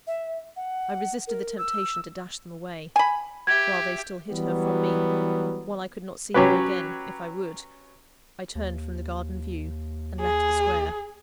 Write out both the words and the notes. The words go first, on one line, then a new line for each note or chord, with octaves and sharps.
I resisted the temptation to dash them away. While they still hid her from me--while I could not see her again, if I would--I turned from the garden view, and left the Square.
E5
F#5
A#4
E6
G#5 B5
G4 E5 G#6
E3 F#3 G3 B3
F#3 C#4 G4 B4
D#2
G#4